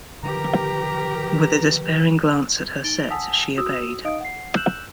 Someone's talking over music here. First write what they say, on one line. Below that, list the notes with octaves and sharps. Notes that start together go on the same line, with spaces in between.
With a despairing glance at her set, she obeyed.
D3 D#3 F3 G4 A#4 B4 A#5
D#4 A6 D7 G7
F#5 G#5 A5 D#6 E6 B6
F#4 D#6 E6
D#4 D#5 F5 D#6 D7
F#5 C7
E6 F#6 G6 E7 F#7